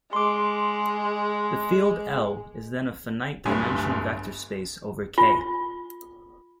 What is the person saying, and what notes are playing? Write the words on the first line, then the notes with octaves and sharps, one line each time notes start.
The field "L" is then a finite dimensional vector space over "K".
G#3 C6 D6
D1 G1 D2 G2 G3 G#5
F4